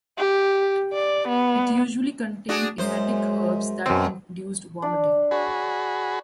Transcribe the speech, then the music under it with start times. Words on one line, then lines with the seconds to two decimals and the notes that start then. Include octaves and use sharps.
It usually contained emetic herbs that induced vomiting.
0.18 G4
0.93 D5
1.28 B3
2.49 D4 F#4 G#4
2.78 F#2 G#3 C5
3.86 F#2 B2 C4
4.82 D4 D5
5.31 F#4 G#4 C#5 B5